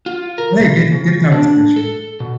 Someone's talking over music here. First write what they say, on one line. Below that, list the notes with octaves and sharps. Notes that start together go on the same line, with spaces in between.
hey, good good conversation.
F4
A#4
B2
C#3
D4
A4
B2